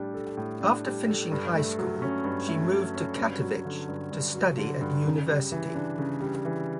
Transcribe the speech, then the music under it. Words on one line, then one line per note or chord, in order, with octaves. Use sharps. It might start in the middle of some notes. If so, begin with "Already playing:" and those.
After finishing high school she moved to Katowice to study at university.
Already playing: A2 G3 D4
A4
A2
D4
G3
A4
G2
A3
F#3
C#4
G2
A3
F#3
C#4
G2
F#3
D3
G2
G2
F#3
D3
G2
C#3
G3
E3
D4
C#3
G3
E3